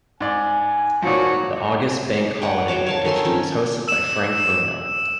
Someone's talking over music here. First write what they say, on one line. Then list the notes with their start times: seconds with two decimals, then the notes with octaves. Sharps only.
The August Bank Holiday edition was hosted by Frank Bruno.
0.21 G#2 D5 G#5
1.02 A#2 D#3 F3 F#4 C#5
2.42 B4 C#5 F#5 G5
2.68 F#3 C5 C#5 D6
2.86 C#5 F5 A5
3.05 D#3 A4 G#5 C6
3.25 F3 C4 C#4
3.88 E6 E7